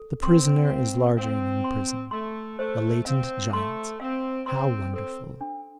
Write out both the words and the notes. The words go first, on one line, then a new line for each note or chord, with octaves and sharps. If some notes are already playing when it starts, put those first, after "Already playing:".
The prisoner is larger than the prison. A latent giant! how wonderful!
Already playing: A4
C4 C6
F5
C4 F5
C6
A3 C6
A3 C5
C4 F5
A3 C6
C4 F5
C4 C6
C4 A4
D4